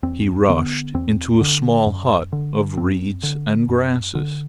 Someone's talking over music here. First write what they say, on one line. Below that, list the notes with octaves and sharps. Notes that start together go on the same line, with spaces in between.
He rushed into a small hut of reeds and grasses.
E2 C4
D3 B3
E2 C4
D3
F#2
D3
F#2 C4
D3
F#2
D3